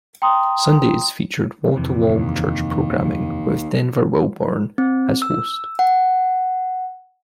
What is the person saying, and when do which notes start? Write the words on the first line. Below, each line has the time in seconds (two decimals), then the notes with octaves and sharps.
Sundays featured wall-to-wall church programming with Denver Wilborn as host.
0.22 G5 A#5 C6 D#6
1.76 F2 C3 E3
2.10 D#2
4.78 C4
5.22 E6
5.79 F#5